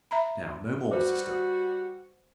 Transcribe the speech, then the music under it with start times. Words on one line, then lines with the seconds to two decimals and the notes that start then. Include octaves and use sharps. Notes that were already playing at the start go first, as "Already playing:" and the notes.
Now, no more, sister!
0.11 E5 A#5 B5
0.91 G3 F#4 B4 C5 D6